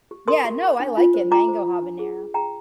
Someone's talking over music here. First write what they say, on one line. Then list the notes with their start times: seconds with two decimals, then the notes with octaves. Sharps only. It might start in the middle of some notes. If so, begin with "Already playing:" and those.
Yeah, no, I like it, Mango Habanero.
0.11 G4
0.28 A#4 C6 D#6
0.45 G4
0.63 G4
0.80 D4
0.97 F4
1.14 C5
1.31 F4 A#5 D6
1.48 C5
1.66 F4
1.82 D4
1.99 G#4
2.18 G#4
2.34 G#4 G5 A#5